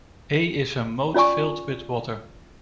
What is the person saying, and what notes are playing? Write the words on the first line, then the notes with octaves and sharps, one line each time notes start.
A is a moat filled with water.
C#4 F4 D5 G#5 C#6